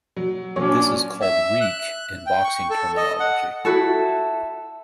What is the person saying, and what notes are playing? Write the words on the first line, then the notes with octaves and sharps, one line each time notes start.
This is called reach in boxing terminology.
F#3
A#2 F#3 C#4 D4 C#5
E5
F#6
G5
C#6
A4
D#5
F#5
E4 F#4 A4